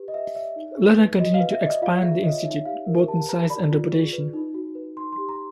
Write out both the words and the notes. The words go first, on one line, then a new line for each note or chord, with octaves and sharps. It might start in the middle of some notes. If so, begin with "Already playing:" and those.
Lerner continued to expand the institute, both in size and reputation.
Already playing: G4 B4
D#5
B4 E5
D5 E5
D#4
G#4
B4
F#4 D#5
F5
B4
E5
D5
D#5
F4 F5
G#4 E5
C#5 D#5
D#4 E5
G4 F5
A#4
G4 A5
B4 A#5
D5 B5
F4
G#4
B4
D#4
F#4
B4
D#4 C6
C6
G4
A#5